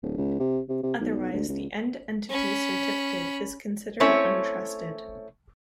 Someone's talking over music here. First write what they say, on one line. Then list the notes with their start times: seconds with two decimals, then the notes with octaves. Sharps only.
Otherwise, the end-entity certificate is considered untrusted.
0.03 D1
0.18 C#2
0.40 C3
0.69 C3
0.83 C3
1.00 B1
1.33 D2
1.49 C#2
2.30 C#4 B5
4.00 A3 C4 C#4 E4 C#5